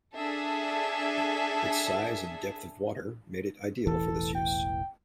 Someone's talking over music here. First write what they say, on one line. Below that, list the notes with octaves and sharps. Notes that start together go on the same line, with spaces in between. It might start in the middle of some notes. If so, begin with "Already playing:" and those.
Its size and depth of water made it ideal for this use.
D4 G#4 A4 E5
E1 A1 E3 A4
G5